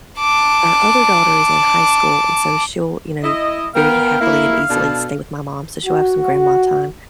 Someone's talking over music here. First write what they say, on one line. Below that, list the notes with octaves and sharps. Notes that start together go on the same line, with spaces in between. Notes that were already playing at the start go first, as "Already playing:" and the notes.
our other daughter is in high school, and so she'll, you know, very happily and easily stay with my mom, so she'll have some grandma time.
A5 D6
E4 D#5
B3 A#4 F5 G5
A#3 E4
B2 D4 A4
F#4